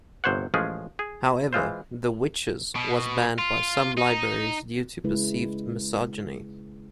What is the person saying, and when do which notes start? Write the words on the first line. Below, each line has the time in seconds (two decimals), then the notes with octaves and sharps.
However, "The Witches" was banned by some libraries due to perceived misogyny.
0.24 G1 C3 C5 C#5 F#5
0.54 A1 F3 G#3 C#4 G#4
0.99 G#4
1.53 E3 G#3 F4 C5
2.76 B2
3.38 F4
3.98 D#4
5.04 C#3 G#3 E4 B4